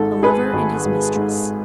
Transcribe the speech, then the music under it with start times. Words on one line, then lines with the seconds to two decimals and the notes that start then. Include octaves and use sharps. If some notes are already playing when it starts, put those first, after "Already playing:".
A Lover and His Mistress.
Already playing: G#1 G#2 A4
0.23 G#3 G#4 B4
0.53 G#1
0.85 G#1
1.16 G#2